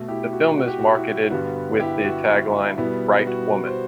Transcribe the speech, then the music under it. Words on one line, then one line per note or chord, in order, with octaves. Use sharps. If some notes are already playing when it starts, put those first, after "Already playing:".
The film is marketed with the tagline: Right woman.
Already playing: B2 A3
E4 G4
F#4
F#4
G4
F#4
E4
G2 D3 G3 B3 F#4
E4 G4
F#4
E4
B2 G3 B3 E4
F#4
C5